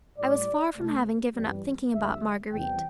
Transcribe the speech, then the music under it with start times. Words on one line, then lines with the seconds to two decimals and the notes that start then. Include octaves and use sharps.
I was far from having given up thinking about Marguerite.
0.18 A2 G3 D5
0.76 C2 C3 A3
1.35 G2 E3 G3
1.93 D2 D3 G3 E5
2.51 E2 C3 E3 G3 G5